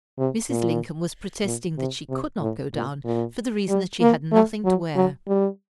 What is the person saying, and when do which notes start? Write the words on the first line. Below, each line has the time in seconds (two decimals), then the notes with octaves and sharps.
Mrs. Lincoln was protesting that she could not go down, for the reason that she had nothing to wear.
0.18 C3
0.50 A#2
1.45 A#2
1.78 C3
2.09 C3
2.40 A2
2.73 A#2
3.04 A#2
3.69 G3
4.01 A#3
4.32 A3
4.65 F#3
4.95 F#3
5.27 G3